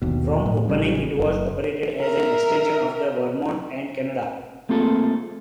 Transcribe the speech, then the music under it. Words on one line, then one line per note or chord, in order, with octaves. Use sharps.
From opening it was operated as an extension of the Vermont and Canada.
G1 D#2 B2
A2
A1 C#3 G3
F#1
A#4 E5
A3 A#3 C4 F4 G#4 A4